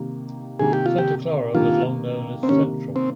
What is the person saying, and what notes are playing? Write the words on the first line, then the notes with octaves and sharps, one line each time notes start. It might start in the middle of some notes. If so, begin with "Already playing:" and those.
Santa Clara was long known as "Central".
Already playing: C3 D#3 A#3
C3 D#3 A#3 G#4
G4
F4
G4
C3 D#3 A#3 F4
C4
C3 D#3 A#3 C#4
C4